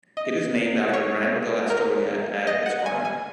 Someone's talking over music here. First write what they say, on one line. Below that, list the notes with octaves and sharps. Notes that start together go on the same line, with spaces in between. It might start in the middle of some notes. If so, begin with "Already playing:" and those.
It is named after Grand Hotel Astoria at its corner.
D#5
C#5
A#4
D#5
F#5
G#5
G#5